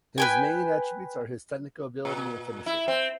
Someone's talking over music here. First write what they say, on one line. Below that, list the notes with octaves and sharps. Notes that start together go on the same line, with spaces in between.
His main attributes are his technical ability and finishing.
B4 G5 G#5
A#2
E4
C4